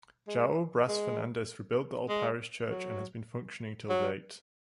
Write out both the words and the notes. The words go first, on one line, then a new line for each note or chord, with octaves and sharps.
Joao Bras Fernandes rebuilt the old parish Church and has been functioning till date.
G#3
G#3
G#3
F#3
F#3